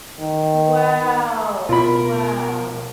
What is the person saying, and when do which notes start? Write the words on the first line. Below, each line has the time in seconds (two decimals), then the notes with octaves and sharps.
Wow. Wow.
0.21 D#3
1.69 B2 F4 A#4 B5